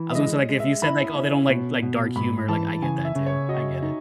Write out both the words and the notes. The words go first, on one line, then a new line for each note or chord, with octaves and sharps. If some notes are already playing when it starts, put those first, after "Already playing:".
I was gonna say, like, if you said, like, "Oh, they don't like like dark humor," like, I get that too, I get it.
Already playing: E3
E5
G#3 D#5
G#3
E5
E4 B5
C#4
B2
B2
G#2 B5
E3 A5
C#3 G#5
E5
C#3
C#5
F#4 D#5
D#4